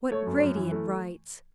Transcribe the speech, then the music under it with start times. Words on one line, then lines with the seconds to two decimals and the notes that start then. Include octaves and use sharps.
'What radiant rites!
0.12 A3 C#5
0.26 F#2
0.34 C#5
0.42 F#2
0.56 E3
0.72 A3